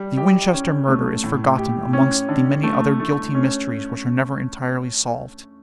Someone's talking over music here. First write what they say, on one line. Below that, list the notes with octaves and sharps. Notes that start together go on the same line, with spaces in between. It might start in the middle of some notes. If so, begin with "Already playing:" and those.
The Winchester murder is forgotten amongst the many other guilty mysteries which are never entirely solved.
Already playing: G3
G4
C#4
A3
A2
G4
C#4
D3
A3
A3
C#4